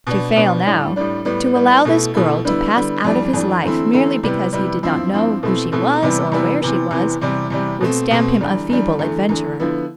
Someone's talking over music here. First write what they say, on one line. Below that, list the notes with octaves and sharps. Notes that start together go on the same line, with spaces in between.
To fail now, to allow this girl to pass out of his life merely because he did not know who she was or where she was, would stamp him a feeble adventurer.
B2 B3 D4
B2 B3 D4
A2 G3 D4
A2 G3 D4
A2 G3 B3
A2 G3 B3
B2 A3 E4
B2 A3 E4
D3 G3 B3 E4
D3 G3 B3 E4
F2 E3 G3 D4
F2 E3 G3 D4
E2 D3 A3 C4 E4
E2 D3 A3 C4 E4
C3 G3 B3 E4
C3 G3 B3 E4
G2 F3 C4 E4
G2 F3 C4 E4
B2 A3 C4 E4
B2 A3 C4 E4
E2 C3 G3 B3 E4
E2 C3 G3 B3 E4
E2 C3 E3 B3
E2 C3 E3 B3
E2 C3 G3
E2 C3 G3
B2 A3 C4
B2 A3 C4
E2 D3 G3
E2 D3 G3
E2 D3 A3
E2 D3 A3
D3 F3 B3 E4